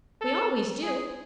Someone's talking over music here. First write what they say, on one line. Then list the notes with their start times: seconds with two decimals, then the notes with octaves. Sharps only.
We always do.
0.21 A4
0.83 G#4